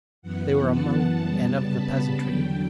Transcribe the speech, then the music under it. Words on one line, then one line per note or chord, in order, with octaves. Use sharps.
They were among and of the peasantry.
F#2 E3 B3 F#5
A5
C#3 G3 B3
B5
E2 D3 F#3 G5